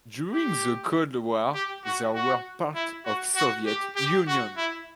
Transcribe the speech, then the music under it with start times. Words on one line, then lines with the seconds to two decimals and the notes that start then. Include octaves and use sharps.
During the Cold War they were part of Soviet Union.
0.33 G4
1.54 G4
1.85 F#4
2.15 F#4
2.75 E4
3.05 F#4
3.36 F#4
3.66 G4
3.96 G4
4.27 F#4
4.57 E4